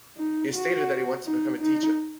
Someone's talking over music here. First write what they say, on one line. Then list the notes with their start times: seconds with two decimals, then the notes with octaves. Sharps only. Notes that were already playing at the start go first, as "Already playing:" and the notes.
He has stated that he wants to become a teacher.
0.17 D#4
0.53 F#4
1.25 D#4
1.61 D#4